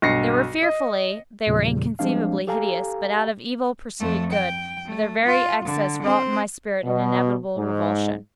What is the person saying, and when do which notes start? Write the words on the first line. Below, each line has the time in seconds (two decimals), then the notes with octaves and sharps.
They were fearfully--they were inconceivably hideous; but out of Evil proceeded Good; for their very excess wrought in my spirit an inevitable revulsion.
0.02 B1 G2 A#6 C7 C#7
0.62 D#5
1.47 E2 A#2 C#3 F3 G3
1.99 F3 G3 G#3 C4 D4 F5
2.47 G4 A4 F5 G#5 A#5
4.00 F2 A3
4.32 G5
4.86 A3
5.25 F4
5.64 D3
6.02 C4 C5
6.84 B2
7.56 G#2